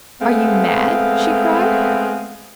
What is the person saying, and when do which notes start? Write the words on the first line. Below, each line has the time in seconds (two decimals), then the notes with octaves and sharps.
"Are you mad?" she cried.
0.21 G#3 A3 B3 C4 F5